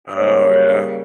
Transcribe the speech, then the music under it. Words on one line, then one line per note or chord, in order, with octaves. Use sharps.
Oh, yeah.
C#3 G3 A#3 C#5